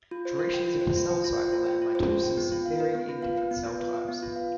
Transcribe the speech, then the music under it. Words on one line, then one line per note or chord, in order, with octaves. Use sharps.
Durations of the cell cycle and mitosis vary in different cell types.
F4
C5
F4
G5
F4
C5
F4
G5
F4
C5
F4
G5
F4
C5
F4
G5
B3
F4
F5
B4
B3
F4
F5
B4
B3
F4
F5
B4
B3
F4
F5